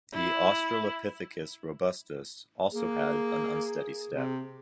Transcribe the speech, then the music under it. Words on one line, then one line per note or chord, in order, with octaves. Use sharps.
The Australopithecus Robustus also had an unsteady step.
E4
A#3 G#4
C3